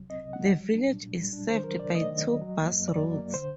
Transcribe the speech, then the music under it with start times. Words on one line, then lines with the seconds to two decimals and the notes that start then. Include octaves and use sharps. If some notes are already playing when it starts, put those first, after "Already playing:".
The village is served by two bus routes.
Already playing: C2 C3 F#3
0.10 C4 D#5
0.25 C3
0.33 F#5
0.40 F#3
0.56 G3
0.71 D4
0.88 A#2
1.02 A#2
1.18 G3
1.33 D4
1.49 D#3 C5
1.64 F#3 A#4
1.79 C3 D5
1.95 A3 D#5
2.10 D#3
2.26 F#3
2.41 F#3
2.57 A#3
2.72 F#2
2.88 F#2 D5
3.04 F#3
3.19 A#3
3.34 D3 C5